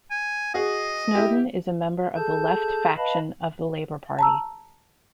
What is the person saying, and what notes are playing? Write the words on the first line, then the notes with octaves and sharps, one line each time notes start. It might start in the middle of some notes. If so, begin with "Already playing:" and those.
Snowdon is a member of the Left faction of the Labor Party.
G#5
F#4 G#4 D#5
E4 G4
G#4 A4 A5 G6
B4 D#5 F5 A5 B5
A5 A#5 E6